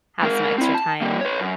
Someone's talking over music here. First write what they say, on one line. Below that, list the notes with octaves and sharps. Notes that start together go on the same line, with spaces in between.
have some extra time,
G#3 A#4
C4 E4
A5
G3 A#3
B4 C#5
F#2